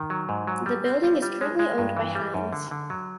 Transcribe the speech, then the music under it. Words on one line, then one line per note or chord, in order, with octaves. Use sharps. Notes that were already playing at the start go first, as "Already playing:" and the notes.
The building is currently owned by Hines.
Already playing: D#3
F#3
G#2
F#3
G3
C4
G3
G3
G#3
G#3
G2
E3
G3
F#2
D3
D3
F#3